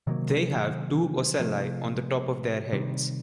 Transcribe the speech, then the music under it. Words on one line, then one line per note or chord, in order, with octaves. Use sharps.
They have two ocelli on the top of their heads.
C3 D#3 F#3 A#3
C3 F3 A3
C3 D#3 G3